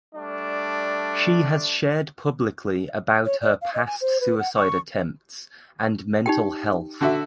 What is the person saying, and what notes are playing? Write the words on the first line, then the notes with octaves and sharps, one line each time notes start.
She has shared publicly about her past suicide attempts and mental health.
G3 A3 D4
C#5
D5
F5
D#5
G#5
C5
B4
F#5
C#6
D#4 G4 G5
D3 F#4 E5